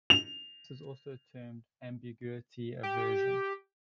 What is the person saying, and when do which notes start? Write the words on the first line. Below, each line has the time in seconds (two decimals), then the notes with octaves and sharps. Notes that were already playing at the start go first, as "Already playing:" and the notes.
This is also termed "ambiguity aversion".
0.10 F7
2.83 G4